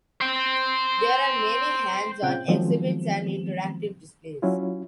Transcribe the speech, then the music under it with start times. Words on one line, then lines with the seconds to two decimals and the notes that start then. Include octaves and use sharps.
There are many hands-on exhibits and interactive displays.
0.21 C5 G5
2.22 A#2 C#3 C4 F4 G5
2.48 D#3 F3 F#3 G#3 B3 C4
4.42 F#3 C#4 E4 F4